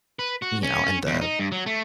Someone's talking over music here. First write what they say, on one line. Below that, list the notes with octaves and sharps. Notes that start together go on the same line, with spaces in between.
you know, in the
B4
F#4
C#4
C#4
E2
D#4
G2
F#3
A3